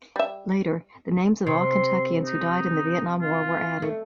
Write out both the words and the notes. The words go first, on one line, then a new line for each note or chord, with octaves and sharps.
Later, the names of all Kentuckians who died in the Vietnam War were added.
G3 E5
C3 C6
D#4
F4
A3